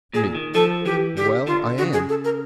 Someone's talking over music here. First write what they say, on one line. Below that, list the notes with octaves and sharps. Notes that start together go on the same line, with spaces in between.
ME: Well, I am.
A#2 G#4
D#3
F3 A4
E3 G4
D3 G4
D3 F4
C#3 F#4
G#4
A4
A#4